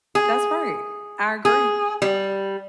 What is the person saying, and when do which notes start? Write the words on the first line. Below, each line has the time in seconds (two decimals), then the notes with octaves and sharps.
That's right. I agree.
0.15 G#4
1.45 G#4
2.02 G3